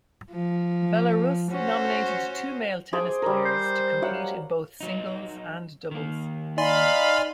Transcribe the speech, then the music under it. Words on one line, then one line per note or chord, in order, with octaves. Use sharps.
Belarus nominated two male tennis players to compete in both singles and doubles.
F3
C#4 F#4 C5
G#4 C5 D6
G3 A#4
C5
F#3 F5 F#5
F#3 D#4
D#3 A#3
D#4 D5 F5 G#5 B5 C6